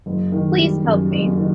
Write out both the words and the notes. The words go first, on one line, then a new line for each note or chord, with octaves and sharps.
Please help me.
F#1
D#3
G3
F#2
F#1
D#3